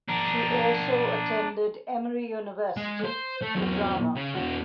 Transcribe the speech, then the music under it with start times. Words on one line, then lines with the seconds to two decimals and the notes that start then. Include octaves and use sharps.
She also attended Emory University for drama.
0.08 D4 A#4
2.76 G#3
3.05 C5
3.42 A3
3.56 E2 F#3
4.16 C#3
4.35 E2 F#4